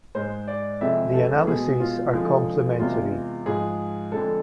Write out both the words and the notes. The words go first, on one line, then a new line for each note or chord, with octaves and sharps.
The analyses are complementary.
G#2 G#3 C5
D5
F2 C3 G#3 E5
A4
B2 G#3 G#4
F4
F2 D3 F3 G#3 G#4
E2 C3 G#3 F4
G#2 F3 G#3 G#4
F2 D3 G#3 A4